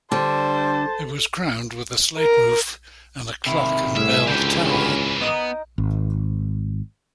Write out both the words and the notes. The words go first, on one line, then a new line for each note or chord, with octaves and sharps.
It was crowned with a slate roof and a clock and bell tower.
D3 G3 C5 A5
A#4
C3 D#3 E4
C2 A2 E4 G#4 E5 F6
C#2 G#2 D3 E3 G4 G6
C#4 B4
B3 D#4 A#4 D#6
G#1